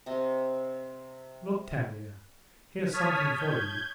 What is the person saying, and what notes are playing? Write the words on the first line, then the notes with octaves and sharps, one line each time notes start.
Look, Tanya, here's something for you!
C3 D#5
C#5 A5 D#6 F6 G#6 B6
G6 G#6